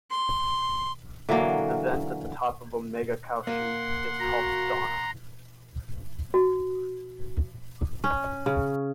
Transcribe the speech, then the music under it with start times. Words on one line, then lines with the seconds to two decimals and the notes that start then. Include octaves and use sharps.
The vent at the top of Omega Cauchy is called Donna.
0.11 C6
1.29 D3 E3 F#3 A#3
3.47 A#3 F#5 C6
4.20 F#4 A#5
6.34 F#4
8.04 C#4
8.46 C#3